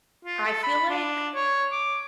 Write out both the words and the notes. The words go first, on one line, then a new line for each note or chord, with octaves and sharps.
I feel like,
F4
A4
B5
D4
C#5
D6